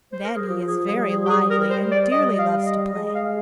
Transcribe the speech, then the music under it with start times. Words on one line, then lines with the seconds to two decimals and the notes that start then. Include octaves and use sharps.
Then, he is very lively and dearly loves to play.
0.12 C5
0.24 A#4
0.36 G#4
0.47 F3 G4
0.68 G#4
0.88 G3 G#4
1.09 G#4
1.25 G4
1.29 G#4
1.50 A#4
1.70 C5
1.91 D5
2.11 G3 D#5
2.39 F5
2.66 D#5
2.94 G#3 D#5
3.15 F5